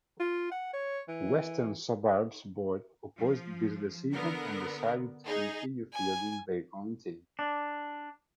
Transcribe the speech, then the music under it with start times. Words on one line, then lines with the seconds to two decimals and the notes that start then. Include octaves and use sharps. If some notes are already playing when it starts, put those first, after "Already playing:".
Western Suburbs board opposed this decision and decided to continue fielding their own team.
0.20 F4
0.52 F#5
0.73 C#5
1.09 E3
3.17 F3
4.13 D3 B3 A#4
5.25 D#4 G#4
5.93 G#5
7.39 D4